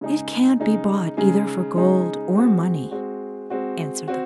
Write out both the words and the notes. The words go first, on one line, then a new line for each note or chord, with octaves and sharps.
"It can't be bought either for gold or money," answered the girl.
C#3 G#3 D#4 G#4
C#3 G#3 D#4 G#4
C#3 G#3 D#4 G#4
C#3 G#3 D#4 G#4
G#3 C4 F#4
G#3 C4 F#4
G#3 C4 F#4
C4 F#4